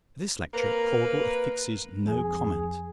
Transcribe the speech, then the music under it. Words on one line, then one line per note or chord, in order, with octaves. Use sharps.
To this lecture, Caudle affixes no comment.
A#3 C4 A#4 B4
F2 G#4